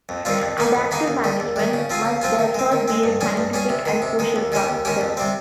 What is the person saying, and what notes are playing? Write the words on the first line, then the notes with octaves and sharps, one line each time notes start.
Adaptive management must therefore be a scientific and social process.
F2
D#3 G3 C4 F4
F2
D#3 A#3 D#4 G#4
F2
D#3 A#3 D#4 G#4
D#2
D#3 G3
D#2
D#3 G3
C#3
F3 C4 F4 G#4
C#3
F3 C4 F4 G#4
D#3
G#3 C4
D#3
G#3 C4
G2
G3 C#4 G#4
G2
G3 C#4 G#4
C3
D#3 G#3
C3
D#3 G#3
D#2
D#3 G#3 C#4 G4
D#2
D#3 G#3 C#4 G4
F2
C3 G3 C4